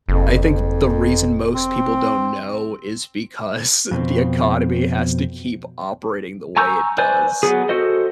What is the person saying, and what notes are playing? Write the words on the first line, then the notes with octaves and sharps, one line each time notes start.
I think the reason most people don't know is because the economy has to keep operating the way it does,
F#1 F2
C4
F2 B2 C4
G#5 A#5 C#6 E6 G6
B4 C5 D5 G#5
F#3 B3 G#4
F#4 A4 C5 D#5